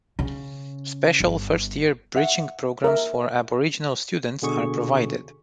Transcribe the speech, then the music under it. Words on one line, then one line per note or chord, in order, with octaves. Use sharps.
Special first-year bridging programs for Aboriginal students are provided.
C#3
G1
E5 F#5
A#4 E5
B2 D3 G#4 C#6